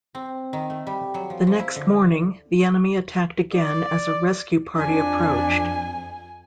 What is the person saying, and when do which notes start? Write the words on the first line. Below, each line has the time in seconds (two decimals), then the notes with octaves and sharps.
The next morning, the enemy attacked again as a rescue party approached.
0.15 C4
0.53 D#3
0.70 A3
0.87 G3
1.14 F#3
1.30 F3
1.47 F3
1.59 E4
1.76 D3
3.53 D5
4.77 F2 D4 G#5